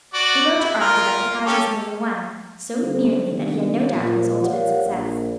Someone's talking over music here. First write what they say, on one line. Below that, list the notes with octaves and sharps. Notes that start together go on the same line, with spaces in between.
He wrote to Arthur that the prize was nearly won; so nearly that he had no doubt of his ultimate success.
F#4 D5
E4
F4 A#4
C#4 G4 A4
D3 G3 C#4 G4 A4 C5
C3 D#3 G3 A3 B3 D4
A#2 F3
G4 A#4 C#5 D5 F5 F#5
A#1